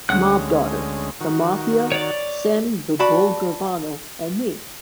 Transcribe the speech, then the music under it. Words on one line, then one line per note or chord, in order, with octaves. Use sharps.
Mob Daughter: The Mafia, Sammy "The Bull" Gravano, and Me!
D2 G#3 C#4 F#5 F#6
D#3 F#4
C#5 D5
F#4 D5 A5 B5